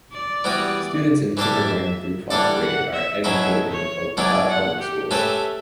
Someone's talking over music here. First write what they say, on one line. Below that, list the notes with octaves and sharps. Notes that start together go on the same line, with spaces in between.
Students in Kindergarten through twelfth grade are educated in the Bogota Public Schools.
D5
E3 G3 B3 F#4
E3 G3 D4 A4 D5 E5
E3 G3 D4 A4 D5 F#5
F#5
E5
B2 F#3 C#4 E4 E5
C#5
B2 F#3 C#4 E4 D5
F#5
G4
A3 C#4 G4 B4 E5